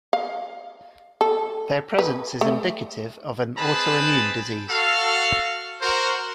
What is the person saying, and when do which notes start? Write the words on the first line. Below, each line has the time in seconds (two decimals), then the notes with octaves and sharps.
Their presence is indicative of an autoimmune disease.
0.13 F5
1.21 A4
1.99 B4
2.41 A3
3.57 G#3 C4 G#4 B4 A5 B5
4.69 F#4 A4 F5
5.81 F#4 A#4 C5